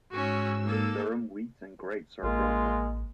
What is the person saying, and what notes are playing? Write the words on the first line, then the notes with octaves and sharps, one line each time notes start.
Durum wheat and grapes are grown there.
G#2 C#4 F#4 E6
A#3 A4
A1 G#3 A#3 F4 A#4